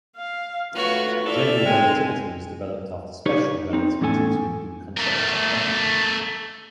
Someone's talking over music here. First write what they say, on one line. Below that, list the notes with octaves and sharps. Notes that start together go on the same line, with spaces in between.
General relativity was developed after special relativity to include concepts like gravity.
F5
A3 F4 F#4 B4 C#5
E4 A4 D5 E5 F6
G#3 C4 G5 G#5
D#4 G4 B4 C#5
C4 D#4
E2 A2 C#4 A4 G#5
A3 A#4